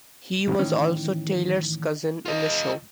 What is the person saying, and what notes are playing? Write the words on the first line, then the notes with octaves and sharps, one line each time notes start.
He was also Taylor's cousin in the show.
A2 D#3 E3 C#4
F4 D#5